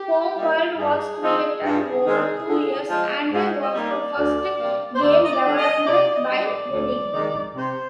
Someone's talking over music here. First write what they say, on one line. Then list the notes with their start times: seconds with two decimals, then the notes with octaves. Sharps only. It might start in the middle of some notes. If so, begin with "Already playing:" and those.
"Homeworld" was created over two years, and was the first game developed by Relic.
Already playing: G4
0.36 G3 A#3 D#4
0.78 G2 G#4
1.21 F3 C4 D#4
1.63 G2
2.05 D#3 G#3 C4 D#4
2.48 D3
2.90 F3 G#3
3.32 G#2
3.60 D#5
3.74 G3 A#3 D#4
3.88 D5
4.18 D2
4.59 C3 G3 A#3
4.95 C5
5.01 D#2 D5
5.24 D#5
5.30 D5
5.45 D3 G3 D4
5.58 D#5
5.86 C3 D5
6.14 D#5
6.29 G3 D4
6.43 D5
6.71 D2
7.13 C3 D#3 G#3 D#4
7.55 C3 C5